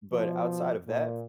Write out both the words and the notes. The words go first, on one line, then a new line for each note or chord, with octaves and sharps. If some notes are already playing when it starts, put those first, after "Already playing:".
but outside of that,
B2 F3
A#2